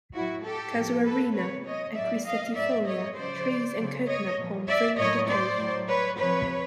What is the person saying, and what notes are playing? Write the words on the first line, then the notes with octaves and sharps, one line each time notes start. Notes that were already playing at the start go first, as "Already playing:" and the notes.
"Casuarina equisetifolia" trees and Coconut palms fringe the coast.
A2 F#3 E4 F#4
G4 A4
A2 F3
A4 B4
C3 E3 B4 C#5
C#5 D#5
A2 F#3 D5 E5
D#5 F5
A2 F#3 D5 E5
C#5 D#5
C#3 F3 C5 D5
C#3 F#3
C#5 D#5
A#2 F3
D5 E5
A2 F#3 C#5 D#5
C5 D5
A2 F#3
B4 C#5
C3 F3 B4 C#5